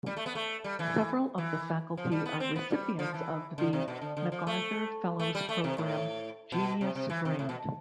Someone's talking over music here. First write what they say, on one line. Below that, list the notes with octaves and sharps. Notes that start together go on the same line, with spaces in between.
Several of the faculty are recipients of the MacArthur Fellows Program "genius grant".
G3
A3
B3
A3
G3
E3
E3
F3
G3
B3
C4
B3
G3
F3
E3
D3
C3
B2
D3
D3
F3
A3
A3
G3
A3
C3
A2
B2
C3
C3
E3
C3
A2
B2